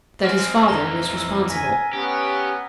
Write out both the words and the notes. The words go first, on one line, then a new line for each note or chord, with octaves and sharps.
That his father was responsible.
G#3 C4 F6
F2 E3 A#5 A#6 G7
E6
G#5 A#6 B6
B3 C#4 G4